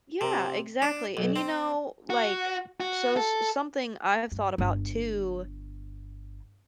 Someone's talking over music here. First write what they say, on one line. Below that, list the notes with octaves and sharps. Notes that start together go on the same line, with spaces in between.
Yeah, exactly, and you know, like, so, s something I have thought about too
C3
D4
B1
C4
F#4
F#4
A4
G2
G1